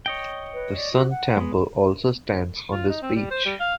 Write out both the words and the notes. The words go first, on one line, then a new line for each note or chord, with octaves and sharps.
The sun temple also stands on this beach.
C#5 D#5 G5
B4
D5
F#4
F#5
G#3 B3
F4
D#4
C4
G3
C5
G3
F5